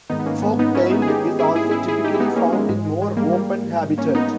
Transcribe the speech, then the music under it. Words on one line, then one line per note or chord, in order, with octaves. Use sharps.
Fork-tailed is also typically found in more open habitat.
G#2 D#3 B3 D#4
B3
A#3 C#4
G#3 B3
B3 D#4
C#4 E4
B3 D#4
G#4
D#4 G4
E4 G#4
E4 G#4
E4 G#4
E4 G#4
D#4 G4
E4
B3 D#4
A#3 C#4
G#3
G#2 E3 G#3
G#3
G#3
G3 A#3
G3 A#3
A#3 C#4
B3 D#4